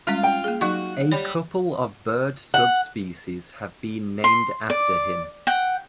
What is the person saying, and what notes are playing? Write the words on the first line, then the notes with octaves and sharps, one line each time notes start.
A couple of bird subspecies have been named after him.
G3 G#3 C#4 F4
G5
A#3 G#4
F#3 D#4 F#4 C#6
G3 C#5
F#5
C6
D5
F#5 G5